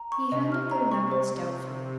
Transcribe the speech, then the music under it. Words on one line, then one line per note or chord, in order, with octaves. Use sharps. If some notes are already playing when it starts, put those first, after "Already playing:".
He handled their nuggets doubtfully.
Already playing: A#5
C#6
C3 D#5
F6
A#5
C#6
C5